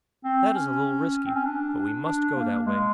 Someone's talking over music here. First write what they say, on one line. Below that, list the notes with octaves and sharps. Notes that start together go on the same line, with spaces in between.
That is a little risky, but we must go that way.
C4
C#4
C4
C#4
D4
D4
A#3
G#3